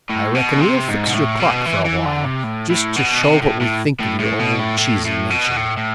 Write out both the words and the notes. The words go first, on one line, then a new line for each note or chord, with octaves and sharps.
I reckon we'll fix your clock for a while just to show what we think of your old cheesy nation.
A2
B2
C3
G#2
B2
A2
B2
E3
E3
D3
C3
A2
A2
B2
C3
A2
A2
A2
A2
B2
A2
A2
A2
B2
A2
A2